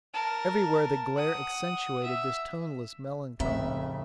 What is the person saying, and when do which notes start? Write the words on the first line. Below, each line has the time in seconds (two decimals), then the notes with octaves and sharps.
Everywhere the glare accentuated this toneless melancholy.
0.14 A#4 A5
1.16 F#5 D#6
2.04 E5
3.40 F1 A2 C#3 C4 E5